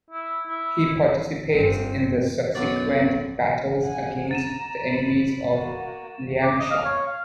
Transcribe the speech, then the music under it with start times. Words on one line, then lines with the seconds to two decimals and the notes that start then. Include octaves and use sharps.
He participates in the subsequent battles against the enemies of Liangshan.
0.10 E4
0.47 E4
1.51 G1 C4
2.55 B1 F#2 F#3 D5
3.81 F#5 G#5
4.31 A#5 A6 D#7 E7
4.87 B5
5.52 A#3 F#4
6.43 D6
6.60 D#5
6.71 F5
6.86 C#5
7.07 F5